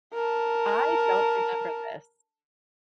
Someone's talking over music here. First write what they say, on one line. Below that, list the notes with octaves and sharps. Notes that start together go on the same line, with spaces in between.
I don't remember this
A#4 A5